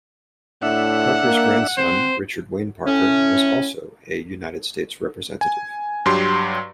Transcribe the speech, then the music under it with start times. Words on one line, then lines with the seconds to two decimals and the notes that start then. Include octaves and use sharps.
Parker's grandson, Richard Wayne Parker, was also a United States Representative.
0.63 A2 D4 E5 F#5
1.24 A#3
1.78 C4 C5
2.86 A2 C#4
5.41 G#5
6.06 G2 F#3 G4 C6